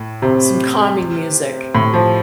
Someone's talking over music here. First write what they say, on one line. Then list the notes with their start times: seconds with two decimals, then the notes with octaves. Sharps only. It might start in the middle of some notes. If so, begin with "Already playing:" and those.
some calming music.
Already playing: A2
0.22 C3
1.75 A2
1.94 F3